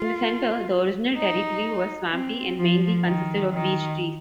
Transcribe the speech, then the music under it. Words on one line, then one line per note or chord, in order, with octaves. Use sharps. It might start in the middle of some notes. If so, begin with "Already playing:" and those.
In the centre, the original territory was swampy and mainly consisted of beech trees.
Already playing: F4
D#4
C4
F3
D#3
D#3